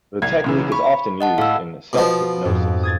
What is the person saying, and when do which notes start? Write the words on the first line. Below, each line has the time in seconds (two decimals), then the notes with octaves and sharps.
The technique is often used in self-hypnosis.
0.22 C2 G#6
0.44 B1 C#3 E3
0.72 B5 C#6
1.21 D#5 F#5 A5
1.38 A2 F5 E6
1.93 B2 F3
2.45 F2 G#2
2.83 D#6 G#6 A6